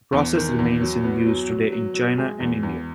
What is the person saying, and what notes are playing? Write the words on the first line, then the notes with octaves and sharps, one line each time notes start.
The process remains in use today in China and India.
E2
D#3
E2
F#3
B3
F#3
F#3
F#3
F#3
G#3
E2
E2